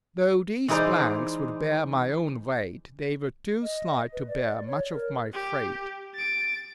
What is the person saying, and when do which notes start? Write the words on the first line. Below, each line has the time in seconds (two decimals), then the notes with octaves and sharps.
Though these planks would bear my own weight, they were too slight to bear much of my freight.
0.68 E3 G#3 D#4 A#4 C5 D5
3.62 D#5
4.13 B4
4.28 D5
4.66 C#5
4.92 A#4
5.34 G4
6.15 A6 D7